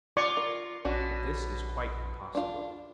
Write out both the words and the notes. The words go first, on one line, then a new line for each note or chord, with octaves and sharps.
But this is quite impossible.
F4 D5 C#6
A#4
A#1 B2 C#4 D4 F#4
D4 F4